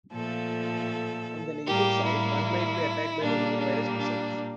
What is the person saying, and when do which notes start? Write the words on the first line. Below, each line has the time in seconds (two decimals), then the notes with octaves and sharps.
On the negative side, one might be attacked by the Omega Virus itself.
0.12 A#2 F3 A3 A4
1.66 A2 G3 A#3 G4
2.05 E4
3.20 A#2 G3 A#3 D4
3.58 D4
3.97 D4